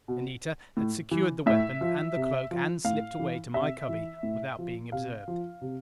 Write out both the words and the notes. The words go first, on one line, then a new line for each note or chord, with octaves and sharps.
Anita had secured the weapon and the cloak and slipped away to my cubby without being observed.
B2
A2
E3
A2 E5
F3
C3
F3
A2 F5
E3
C3 E5
E3
A2
F3
C3 F5
F3
C3